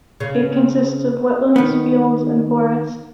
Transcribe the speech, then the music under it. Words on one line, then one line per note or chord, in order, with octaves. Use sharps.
It consists of wetlands, fields, and forests.
C#3
D#3 B3